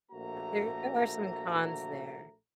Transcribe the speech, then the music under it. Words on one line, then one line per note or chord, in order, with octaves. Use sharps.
there there are some cons there.
A#1 A3 A#3 F#4 A#5